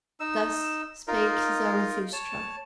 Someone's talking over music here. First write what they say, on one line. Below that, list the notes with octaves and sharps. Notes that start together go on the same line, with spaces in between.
Thus spake Zarathustra.
D#4 E6
D#4 F4 A#4
C#5 A5